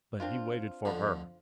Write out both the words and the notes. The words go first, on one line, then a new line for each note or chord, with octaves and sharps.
But he waited for her.
C4 D4 F4
F2 D3